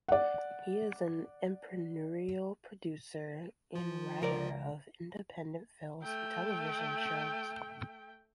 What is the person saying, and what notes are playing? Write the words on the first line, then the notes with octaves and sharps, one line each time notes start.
He is an entrepreneurial producer and writer of independent films and television shows.
D5 F#5
F3 F4
C#2 A#4 D5
A3 G5